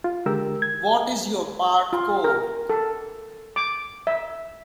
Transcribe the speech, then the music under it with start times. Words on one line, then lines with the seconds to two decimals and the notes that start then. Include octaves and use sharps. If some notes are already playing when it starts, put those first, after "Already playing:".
What is your part code?
0.04 F4
0.26 D3 G#3 G4 A#4 E6
0.62 G#6
1.93 F4
2.24 A#4
2.70 A4
3.56 D6
4.07 E5